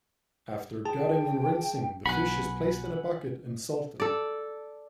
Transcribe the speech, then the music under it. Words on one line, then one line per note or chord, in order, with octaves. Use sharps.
After gutting and rinsing, the fish is placed in a bucket and salted.
G#4 G5 A5
B1 F#5 G#5 B5 F#6
A4 D5